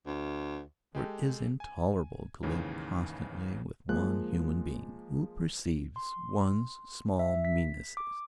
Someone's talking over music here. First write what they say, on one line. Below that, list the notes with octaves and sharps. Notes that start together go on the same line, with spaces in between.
For it is intolerable to live constantly with one human being who perceives one's small meannesses.
D2
G#3 G4 A4
G#5
D#2 G#2 C#3 E3
F3 G#3 A#3 F#6
C6
E5
B6
D6